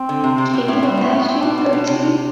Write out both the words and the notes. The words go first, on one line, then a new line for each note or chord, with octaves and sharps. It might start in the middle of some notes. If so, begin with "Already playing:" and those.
Can you imagine, Bertie?
Already playing: C4
D3
C3
C3
B2
A2
B2
G3
A2
A3
B3
C4
B2 D4
B2
B2
C3